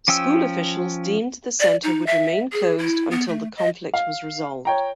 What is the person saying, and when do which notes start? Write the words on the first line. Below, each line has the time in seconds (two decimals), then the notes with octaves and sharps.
School officials deemed the center would remain closed until the conflict was resolved.
0.08 F3 C#4 G5 E6
1.60 D5
1.84 D#4
2.07 E5
2.53 G#4
2.78 E4
3.11 B3
3.28 A3
3.57 D#5
3.94 F5
4.65 C#5 G5 A#5